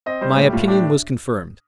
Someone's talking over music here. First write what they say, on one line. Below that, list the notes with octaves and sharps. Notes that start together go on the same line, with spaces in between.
My opinion was confirmed.
C4 D#5
G3 C5
A2 G4
A2 F4
D4 G4